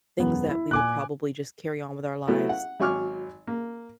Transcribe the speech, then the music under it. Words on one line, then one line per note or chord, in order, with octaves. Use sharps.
things that we would probably just carry on with our lives,
E1 F#2 B3
E4
A#2 G#5 D6 F#6
F#3 A3 B3 E4 F#4
F#5
G#1 F#3 G#5 C#6 D6 F6
A#3